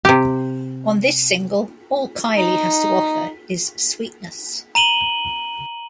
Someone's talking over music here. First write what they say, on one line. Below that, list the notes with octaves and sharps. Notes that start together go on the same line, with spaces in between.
On this single, all Kylie has to offer is sweetness.
C3 G4
D#4
A#5 D#7 F#7 G7